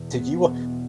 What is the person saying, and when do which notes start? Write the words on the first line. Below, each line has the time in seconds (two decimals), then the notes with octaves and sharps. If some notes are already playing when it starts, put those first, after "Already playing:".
Did you w
Already playing: E2 B2
0.12 B3
0.40 E2 B2